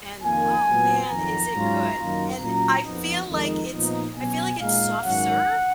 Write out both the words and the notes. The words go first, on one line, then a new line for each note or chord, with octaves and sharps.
And oh, man, is it good? And I feel it's I feel like it's soft serve
F2 D#3 A#3 F4 G#5
A#2 F#3 B3
F2 D#3 F#3 A#5
G#2 F#3 C#4 F4
F#2 D#3 F#3 A#3 F4
A#2 F#3 C#4 F4 A#5
F2 F3 B3 D#4
F2 D#3 G#3 D#4
A#2 F3 B3 D#4
B2 F#3 C#4 G#5
A#2 G#3 D#4 F5
G#2 D#3 F#3 C#4 F#5